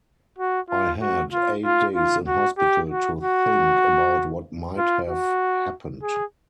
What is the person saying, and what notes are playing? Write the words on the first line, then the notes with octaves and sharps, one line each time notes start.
I had eight days in hospital to think about what might have happened.
F#4
F4
F#4
F4
F4
F4
F#4
G4
F#4
F#4
F4
F#4
G#4